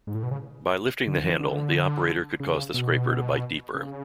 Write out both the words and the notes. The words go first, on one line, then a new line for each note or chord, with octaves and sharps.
By lifting the handle, the operator could cause the scraper to bite deeper.
G#2
A2
B2
C#3
D3
E3
D3
C#3
B2
C#3